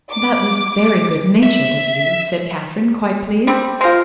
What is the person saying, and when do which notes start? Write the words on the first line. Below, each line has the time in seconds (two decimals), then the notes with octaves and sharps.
"That was very good-natured of you," said Catherine, quite pleased.
0.11 D6
1.43 E5
3.47 G3 C4
3.81 G#3 F4 A#4 C5